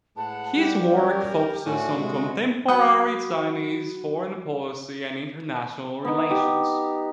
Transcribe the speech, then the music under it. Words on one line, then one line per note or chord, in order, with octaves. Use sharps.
His work focuses on contemporary Chinese foreign policy and international relations.
A2 G#3 B4 F#5 A5
G3 G4
C#4 A#4
A2 A3 D4 F#4 G#5
C3 G#3
F#3 F#4 F#5 G5 B5 D#6
B3 D#4
G4